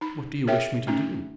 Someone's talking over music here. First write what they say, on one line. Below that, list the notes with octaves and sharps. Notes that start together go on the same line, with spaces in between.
"What do you wish me to do?"
D#4 B5
G#4 A#4 C#5 E5 G5
A3 C#4 D#4